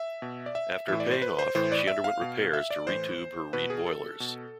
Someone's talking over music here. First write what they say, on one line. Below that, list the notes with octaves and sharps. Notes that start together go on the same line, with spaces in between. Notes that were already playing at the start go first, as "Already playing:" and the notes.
After paying off, she underwent repairs to re-tube her Reed boilers.
Already playing: E5
B2
D5
E5
A2 E3 E5
D5
C5
B4
C5
A2 E3 C5
D5
E5
F5
B2
E5
D5
A2 E3 C5
B2 B4
G#4
A4
B2